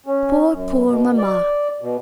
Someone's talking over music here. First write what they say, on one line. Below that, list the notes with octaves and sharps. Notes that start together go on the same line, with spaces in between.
Poor, poor mamma!
C#4
F#2
B2
D5
B2